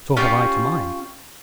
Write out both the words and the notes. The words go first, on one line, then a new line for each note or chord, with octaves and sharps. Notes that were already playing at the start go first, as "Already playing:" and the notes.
"So have I to mine!"
C#4 F4 G4